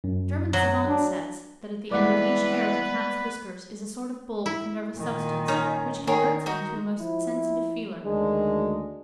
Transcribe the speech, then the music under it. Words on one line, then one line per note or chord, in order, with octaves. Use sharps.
A German savant says, that at the end of each hair of a Cat's whiskers is a sort of bulb of nervous substance, which converts it into a most sensitive feeler.
F#2
F#3
D4
E3 G3 G#3 B3 B4 D5 F#5
E4
A#2 D#3
C#4 D#4
D#3 G#4 A#4 C#5
D#4 F#4
F3 E4
D2 D#3 G#3 D4